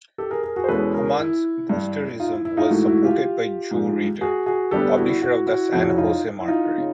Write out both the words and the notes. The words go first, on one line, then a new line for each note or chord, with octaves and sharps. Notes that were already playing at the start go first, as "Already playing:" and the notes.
Hamann's boosterism was supported by Joe Ridder, publisher of the "San Jose Mercury".
G4 A4
G#4 A#4
G#4 A#4
F#4 G#4
C5
E2 B2 G#3 C#4 A4 B4
G#4 A#4
E4
G2 E3 G3
D#4 F4
E4
E4
D#4 F4
G#2 E3 A3 E4 F#4
E4 F#4
F4 G4
G#2 F3 G#3
F#4 G#4
F#4 G#4
D2 D3 G3 B3 D4 G4 A4
E4 F#4
E4 F#4
E4 F#4
F1 F2 C#3 E4 F#4
D#4 F4
E4
D#4 F4
C#3